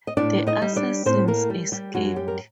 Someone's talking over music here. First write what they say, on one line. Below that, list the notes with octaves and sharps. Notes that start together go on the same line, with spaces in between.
The assassins escaped.
D#5
A2 D4 D5
D#4 D#5
G3
D4 D5
A2 C4 C5
A#3 A#4
G3
G3 G4
F#2 F#3 F#4
G3 G4
A#4